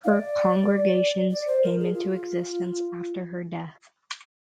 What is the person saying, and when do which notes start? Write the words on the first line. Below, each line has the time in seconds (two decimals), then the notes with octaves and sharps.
Her congregations came into existence after her death.
0.04 F5
0.09 D5
1.31 D5
1.47 C5
1.63 A#4
1.79 G#4
1.94 F4